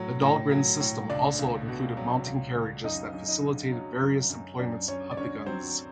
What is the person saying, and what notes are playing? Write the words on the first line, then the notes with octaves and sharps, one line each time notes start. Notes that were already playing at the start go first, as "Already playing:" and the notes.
The Dahlgren system also included mounting carriages that facilitated various employments of the guns.
Already playing: A2 F#3
A2
F#3
A2
C#2 D4 D5
C#2
B2
F#3
C#2
C#2
F#2 D#4 D#5
F#2
D#4 D#5
D3
F#3
F#2
F#2
F#2 D4 D5
F#2 C#4 C#5
D5
D3 C#4 C#5
F#3 C4 C5